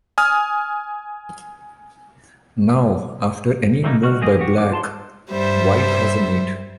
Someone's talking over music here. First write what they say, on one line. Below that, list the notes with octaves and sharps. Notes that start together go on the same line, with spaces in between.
Now, after any move by Black, White has a mate.
G#5 D#6 F6
E3 G3 A3 A#3 D#4
G3 F#4 C#6 F6
G#3 A#3 G4 G#4 D#5
F#4 G4
D6
F4 A5 C6
G2 G3 C5 E5